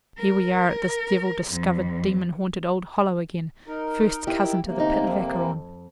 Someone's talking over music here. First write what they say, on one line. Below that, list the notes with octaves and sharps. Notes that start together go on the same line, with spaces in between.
Here we are at this devil-discovered, demon-haunted old Hollow again--first cousin to the pit of Acheron.
A#4
F2
D#4 A#4
E4 G4
C3 A#3
D2 D#4
F2